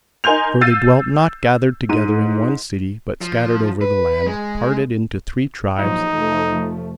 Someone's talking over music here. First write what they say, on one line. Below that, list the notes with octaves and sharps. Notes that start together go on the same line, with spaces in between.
For they dwelt not gathered together in one city, but scattered over the land, parted into three tribes.
D#4 A#4 G#5 C6 G6 F7
E6 G6 A6 C7 D#7
G#2 D#7
F3
B4
G#3
A#1 F3 F#3 D#4
F1 F3 A3